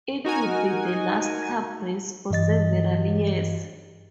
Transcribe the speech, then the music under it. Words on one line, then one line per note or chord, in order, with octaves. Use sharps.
It would be last Cup race for several years.
D#4 F#4 A#4 G#5
G2 E3 D#5 A6